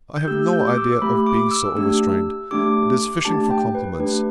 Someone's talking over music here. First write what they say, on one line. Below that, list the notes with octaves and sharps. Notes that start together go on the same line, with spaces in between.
I have no idea of being so overstrained! It is fishing for compliments.
G6
A3 G4 E6
G6
D6
E6
A3 G4 B5
D6
E6
A3 D4 G4 E6
A3 D4 G4 D6
A3 D4 G4 A5
G5
B4
A3 D4 G4 B4